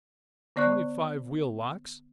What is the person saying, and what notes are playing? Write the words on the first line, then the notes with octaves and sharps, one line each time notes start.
Twenty-five wheel locks!
D3 B3 D5 C#6 F#6